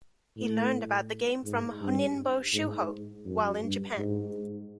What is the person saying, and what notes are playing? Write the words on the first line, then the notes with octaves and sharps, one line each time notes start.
He learned about the game from Honinbo Shuho while in Japan.
A2
G#2
G2
G#2
F#2
G2
G#2